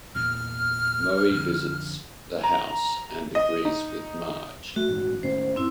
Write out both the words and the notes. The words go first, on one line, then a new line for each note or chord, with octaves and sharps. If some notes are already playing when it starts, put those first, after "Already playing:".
Moe visits the house and agrees with Marge.
E2 A#2 F6
F2 D3
A#5
D#5
D#4
A3 F#4
D#1 A1 G#2
D#2 A2 C#4 C5
F#2 C4 E4